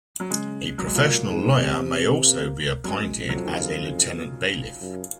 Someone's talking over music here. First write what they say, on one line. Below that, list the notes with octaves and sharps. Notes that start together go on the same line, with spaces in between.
A professional lawyer may also be appointed as a Lieutenant Bailiff.
F#3
C#3 G#3
F#3
G#3
A#2 A#3
G#2
C3
A#3
F#3
F#2 G#3
F2
F#3
F3
D#3
C#3
F#2